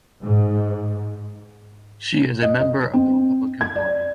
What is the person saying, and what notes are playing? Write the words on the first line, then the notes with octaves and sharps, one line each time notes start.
She is a member of the Republican Party.
G#2
D#5
D#5
C4
G#6
D5